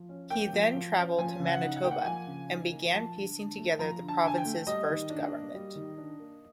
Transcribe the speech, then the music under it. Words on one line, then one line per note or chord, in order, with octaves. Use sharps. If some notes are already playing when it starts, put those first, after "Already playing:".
He then travelled to Manitoba, and began piecing together the province's first government.
Already playing: F3
C#4
A#3 G5
F3
F3
C#4
F3 G#5
C#3
F#5
D#4
F#5
A#3 G5
F#5
F3 G#5
C#3
D#4
A#3
F3 A5
D3
D3
A3
F3 A#5
D3
A5
D3 G#5
G5
A3
G3 D#5
D#3
D4
A#3
G3
D#3
D4
A#3